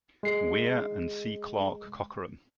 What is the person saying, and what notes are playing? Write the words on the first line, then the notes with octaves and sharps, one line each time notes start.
Weir and C. Clark Cockerham.
G#3 C7